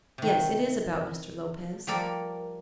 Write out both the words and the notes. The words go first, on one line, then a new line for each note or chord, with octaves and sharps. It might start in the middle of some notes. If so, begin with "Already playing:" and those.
Yes; it is about Mr. Lopez.
C3 D#3
F3 G3 A#3 A4 A#4